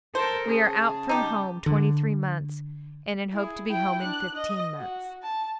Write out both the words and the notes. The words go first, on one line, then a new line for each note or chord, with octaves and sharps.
We are out from home twenty-three months, and in hope to be home in fifteen months.
A4 A#4 C5
C#3 G#4 A5
D#4 G4
D3
E4 G#4
E4 G5
D4 F#6
D#5
F#4
A5